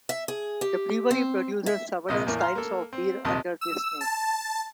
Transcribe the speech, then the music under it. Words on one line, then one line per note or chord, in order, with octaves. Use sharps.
The brewery produces several styles of beer under this name.
E5
G#4
G4
C4
E5
A#1 C3 D#5
E2 A2 A#3
F5 A#5 C6
A#3 A4
C4
A#1 D#2 C3 D#5 A5
E6
A5